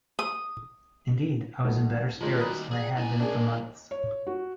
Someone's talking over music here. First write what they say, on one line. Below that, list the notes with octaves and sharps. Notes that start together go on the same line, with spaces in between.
Indeed I was in better spirits than I had been for months.
D#6
B1 D#3 A3 F#5
D#3 F3 G3 G#3 C#5 A#5
F#4 A#5 B5 D#6 F#6
G#4 D5
D#2 E4 G#5
D4 G#4 A#4
C#5
F#4